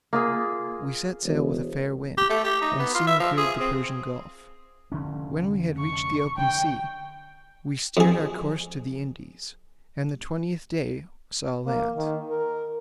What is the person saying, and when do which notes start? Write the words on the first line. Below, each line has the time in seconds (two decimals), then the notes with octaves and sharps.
We set sail with a fair wind, and soon cleared the Persian gulf; when we had reached the open sea, we steered our course to the Indies; and the twentieth day saw land.
0.13 A#3 F4 G#4
1.25 E1
2.17 G4
2.29 A3
2.44 G4
2.62 D#4
2.79 B3
2.95 F4
3.07 E5
3.19 F3
3.37 G#4
3.60 C4
4.92 F1 D3 C#4
5.79 C#6
6.38 D3 G5
7.97 F2 G#4
11.66 A#3
11.97 D#3
12.29 A#4